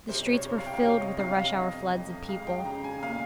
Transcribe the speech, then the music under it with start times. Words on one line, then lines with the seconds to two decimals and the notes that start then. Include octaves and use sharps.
The streets were filled with the rush-hour floods of people.
0.09 C2 C5
0.26 C5
0.33 C#5
0.46 C2
0.58 F5
0.66 G5
0.73 F5
0.82 C3 C#5
1.00 D#5
1.19 C3 F5
1.38 F5
1.56 F2 D#5
1.93 F2
2.29 G#3 F5
2.47 G5
2.65 C#3 A#5
2.84 G#5
3.03 A#2 F5